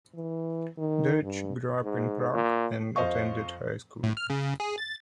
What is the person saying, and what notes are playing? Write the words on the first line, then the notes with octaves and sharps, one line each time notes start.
Deutsch grew up in Prague, and attended high school.
E3
D#3
G2
G#2
A#2
F2 C5 D#5 F5 C#6
A2
F6
C#3
G#4
A6